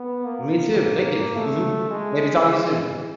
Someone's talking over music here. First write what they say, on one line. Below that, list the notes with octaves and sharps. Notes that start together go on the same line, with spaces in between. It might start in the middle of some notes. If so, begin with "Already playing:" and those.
Me too, thank you, mhm. Maybe talk to you soon.
Already playing: B3
A#3
A3
G#3